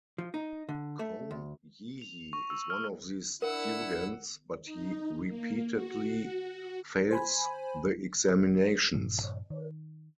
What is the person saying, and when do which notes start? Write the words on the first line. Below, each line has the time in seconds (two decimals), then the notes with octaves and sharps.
Kong Yiji is one of these students, but he repeatedly fails the examinations.
0.18 F3
0.34 D#4
0.69 D3
0.99 A3
1.31 D2
2.02 F7
2.33 C#6
2.50 E6
2.70 F6
3.42 D4 E4 A#4 F#5 E6
4.65 D#4
5.25 A#3
5.71 F#4
7.11 C5 G#5 B5
8.94 G2 A#2 C#3 F3
9.50 D#3